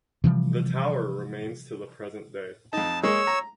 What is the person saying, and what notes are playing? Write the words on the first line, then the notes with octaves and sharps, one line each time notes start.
The tower remains to the present day.
C3 E3 F3 G3
F2 D#4 A5
G#3 A#3 C#5 E6
A#5